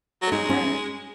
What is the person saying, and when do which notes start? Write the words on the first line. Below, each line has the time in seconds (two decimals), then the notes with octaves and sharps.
They're a brat.
0.22 F#3
0.31 G#3 D#4
0.49 C#4